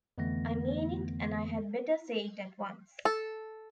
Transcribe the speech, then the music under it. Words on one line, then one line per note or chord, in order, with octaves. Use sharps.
I mean it, and I had better say it at once.
F2 D3 E3 A3 B3 A#6
A4